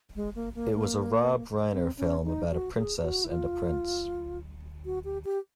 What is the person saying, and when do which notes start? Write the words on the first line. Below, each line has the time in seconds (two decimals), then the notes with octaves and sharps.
It was a Rob Reiner film about a princess and a prince.
0.16 G#3
0.35 A#3
0.55 A#3
0.74 A#3
1.73 C4
1.98 C#4
2.24 D#4
2.51 F#4
2.77 G#4
3.03 F#4
3.24 E4
3.29 F4
4.85 F#4
5.04 G4
5.25 G4